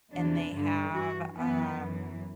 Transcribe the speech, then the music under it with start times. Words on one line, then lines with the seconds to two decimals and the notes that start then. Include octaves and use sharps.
And they have, um
0.11 E2 C3 E3 D4
0.53 G2 D3
0.94 G2 E3 F#4
1.36 F#2 E3 B3
1.77 F#2 E3